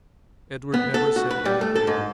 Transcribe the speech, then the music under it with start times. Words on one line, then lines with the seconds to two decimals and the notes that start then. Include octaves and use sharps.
Edward never said anything.
0.74 B3
0.94 A4
1.16 F#4
1.30 B4
1.45 G3
1.61 A3
1.75 A4
1.87 G#2